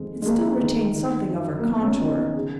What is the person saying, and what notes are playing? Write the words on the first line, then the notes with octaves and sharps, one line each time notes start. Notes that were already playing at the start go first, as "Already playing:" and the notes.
It still retained something of her contour.
Already playing: F2 D#3 G#3
G#3
F2 A#3
D#3
D#3
F#2
A#3
F#2 B3
C#4
D#3 D#4
C#3 G#4